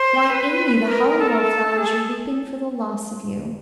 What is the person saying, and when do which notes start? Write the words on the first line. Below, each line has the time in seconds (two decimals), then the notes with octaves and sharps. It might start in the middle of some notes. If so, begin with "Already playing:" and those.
'Why, Amy, the Hollywell flowers are weeping for the loss of you!
Already playing: C5
0.30 B4
0.88 A#4
1.18 A4
1.28 A#4
1.38 A4
1.77 G#4
1.87 A4